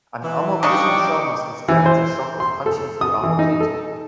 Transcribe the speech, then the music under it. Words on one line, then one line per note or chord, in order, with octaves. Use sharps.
An armor-piercing shell must withstand the shock of punching through armor plating.
E3
A2 C#3 G3 D4 D#4 G5 C#6 D6
E3
C5
C6
A4
D#6
E3
D#4
A4